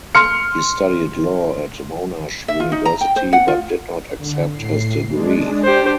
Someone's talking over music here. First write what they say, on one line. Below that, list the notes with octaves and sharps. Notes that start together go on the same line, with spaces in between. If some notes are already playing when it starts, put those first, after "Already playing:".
He studied law at Monash University but did not accept his degree.
C6 F6 C#7
E5
F4
D#4
A#5
G5
C5
F#5
F4
D3
A2 C7
G#3 D4
D4 G4 C5